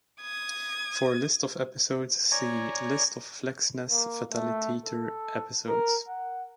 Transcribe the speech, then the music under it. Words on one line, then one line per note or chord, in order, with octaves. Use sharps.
For a list of episodes, see List of Fleksnes Fataliteter episodes.
D#6 G#6
C#5 D5 G#5 A#5
A#3
A3
A4
A#4
F#5